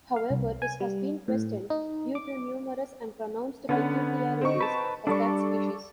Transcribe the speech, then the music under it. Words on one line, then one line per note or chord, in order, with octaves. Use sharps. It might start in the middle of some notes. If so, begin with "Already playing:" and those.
However, this has been questioned due to numerous and pronounced peculiarities of that species.
F5
C2
G#5
G3
A2
D#4
D6
D3 B3 C#4 F#5
C4 D#4 C#6
B4 A5
G3 D4 A4 D5 C#6